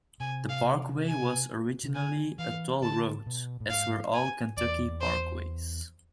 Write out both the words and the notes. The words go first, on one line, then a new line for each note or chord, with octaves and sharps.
The parkway was originally a toll road, as were all Kentucky parkways.
C3 G#5
F5
G#5
C3
D3 G#5
E3 F5
D3 A5
B2
A2
G#2 F5
G#5
E2 D5
C5